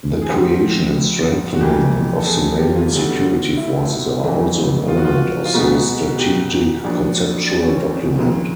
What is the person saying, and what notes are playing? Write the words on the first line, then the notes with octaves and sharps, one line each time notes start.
The creation and strengthening of Somalian security forces are also an element of the strategic conceptual document.
G#4
D2 C3 F3 G4
F#4
F2 C3 E3 G3 A#3 G4
A4
G#4
G4
F4
D2 D3 G3 B3
E4
G1 F2 C#3 E3
F4
F#4
F4
F4
C2 B2 G#3 B3 F#4
F#4
G4
A#1 A#2 F#3 D4
C4
C#4
C4
D#2 C#3 F3